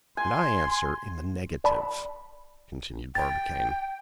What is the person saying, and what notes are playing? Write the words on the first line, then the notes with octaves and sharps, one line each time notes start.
"And I answer in the negative," continued Barbicane.
G#5 C6
D5 A5 B5
G5 A6